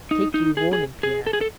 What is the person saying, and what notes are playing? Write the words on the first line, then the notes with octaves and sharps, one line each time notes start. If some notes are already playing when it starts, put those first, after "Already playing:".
Take you warning, Pierre!
D#4
D#4
G#4
G#4
G#4
A4
G#4
A4